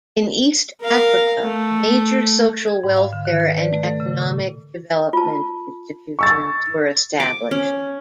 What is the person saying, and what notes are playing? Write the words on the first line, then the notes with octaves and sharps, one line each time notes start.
In East Africa, major social welfare and economic development institutions were established.
A#4 F5
A3
G#6
G#2
F5
D3
D#3
B4
D5
A3
A4
C#3
A#2
F4 A5
C#6 E6 A6
D6
C#4